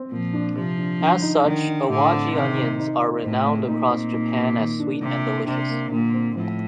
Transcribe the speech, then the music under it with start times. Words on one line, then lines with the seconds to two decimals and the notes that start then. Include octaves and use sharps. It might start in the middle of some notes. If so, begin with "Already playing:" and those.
As such, Awaji onions are renowned across Japan as sweet and delicious.
Already playing: C4
0.11 A#2 F3
0.33 D4
0.56 C3 F3
0.78 D4
1.01 D3
1.22 D#4
1.45 D3 D#3
1.67 D4
1.89 A2 D3
2.12 C4
2.34 C3 D#3
2.57 D#4
2.80 D#4
3.01 C4
3.23 A2 C4
3.46 A3
3.68 A#2 D#4
3.91 C4
4.13 D#4
4.36 A#3
4.58 D#3
4.80 D4
5.02 C3 D4
5.24 A#3
5.47 C3 D4
5.69 A#3
5.91 A#2 D3
6.14 C4
6.36 A2 F3